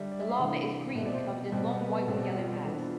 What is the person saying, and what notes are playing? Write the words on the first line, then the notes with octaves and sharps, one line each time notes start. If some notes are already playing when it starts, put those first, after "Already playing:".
The larva is green, covered in long white or yellow hairs.
Already playing: D3 G3 D4 E5
D5
E5
F5
C3 E3 A3 D4
B2 A3 C4 E5
D5
C5
B2 G3 C4
B4
B2 G3 C4 A4
G4
F4
G4
E3 B3 D4 A4
B4
F4